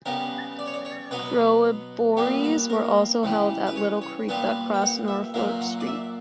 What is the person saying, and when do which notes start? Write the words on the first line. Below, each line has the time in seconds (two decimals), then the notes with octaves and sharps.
Corroborees were also held at a little creek that crossed Norfolk Street.
0.06 C#3 G3 B3 A#4
0.59 D5
0.66 C#5
0.74 D5
0.85 C#5
1.11 B2 F#3 B3 B4
2.17 A#2 G3 B3 G4
2.44 F#4
2.70 A#4
3.23 C#3 E3 G3
3.67 B4
3.76 C#5
4.02 C#5
4.29 A#2 G3 B3 B4
4.74 G5
4.81 F#5
5.08 E5
5.34 A#2 F#3 A#3 E5
5.61 F#5
5.81 D5
5.87 E5